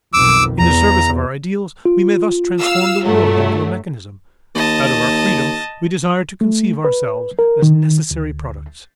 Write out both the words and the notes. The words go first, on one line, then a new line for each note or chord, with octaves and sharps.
In the service of our ideals we may thus transform the world into a mechanism: out of our freedom we desire to conceive ourselves as necessary products.
B1 F2 D#3 D6 E6
E2 A#5
F4
F5 E6
G2 F#3 A3
D#2 D#5 A5
A3
B4
A#4
D#3
D2